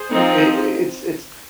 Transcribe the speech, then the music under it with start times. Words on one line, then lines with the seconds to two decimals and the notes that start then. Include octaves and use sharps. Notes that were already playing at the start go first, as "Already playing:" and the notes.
it's it's
Already playing: G#4 C5
0.10 F3 C4 D#4